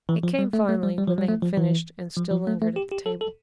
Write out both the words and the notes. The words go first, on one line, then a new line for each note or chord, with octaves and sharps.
It came finally when they had finished and still lingered at the table.
E3
F3
G3
A3
A3
G3
G3
F3
G3
A3
F3
E3
F3
F3
A3
A3
G4
G4
A4
A4